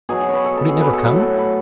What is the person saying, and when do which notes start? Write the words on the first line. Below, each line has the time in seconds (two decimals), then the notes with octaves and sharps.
Would it never come!
0.09 B2 F#3 G#4
0.21 G#4
0.29 B4 C#5
0.44 A4
0.57 A4
0.69 G#4
0.81 B4
0.93 A4
1.05 A2 F#3 B4
1.21 A4
1.37 B4